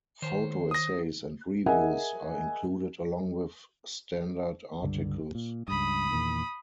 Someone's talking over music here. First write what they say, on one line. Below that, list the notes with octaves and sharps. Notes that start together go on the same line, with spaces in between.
Photo essays and reviews are included along with standard articles.
D#3 C5 C#5
D#6 A#6
G#4 A#4 D#5 E5 F#5 G#5
C#2 G2 D3
A#2
C#2 G2 B5 D#6
E2 A#2 D#3